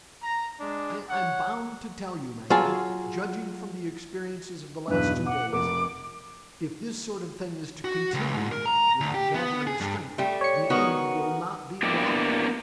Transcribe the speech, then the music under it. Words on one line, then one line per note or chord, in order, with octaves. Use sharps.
"I am bound to tell you, Mankell, judging from the experiences of the last two days, if this sort of thing is to continue--with gathering strength!--the end will not be long."
A#5
G#3 D4
C#5 F#5
F#3 F4 G#4 A5
B1 E2 G2 B4
B2
F#5 D6
F1 A#4 D6
F#4
C#2
G#2
A#4
A#5
D2
G4
B3
G#4
G2
G3 A3
C#5 C#7
D#3 B3 F#4
A#3 B3 D4 E4 G4